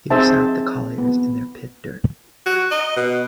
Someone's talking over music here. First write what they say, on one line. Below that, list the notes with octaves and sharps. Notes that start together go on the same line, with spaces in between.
Here sat the colliers in their pit-dirt.
C4 D#4 G#4 C5 E5 A5
B3
F#4
D#5
B2